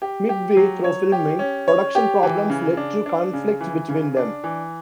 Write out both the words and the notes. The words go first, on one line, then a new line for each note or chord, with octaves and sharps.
Mid-way through filming, production problems led to conflict between them.
G4
G4
F#3
C#5
G4
C#4
C#5
G4
E3
C#3
D4
D4
C#3
E3
C#3
D4
E3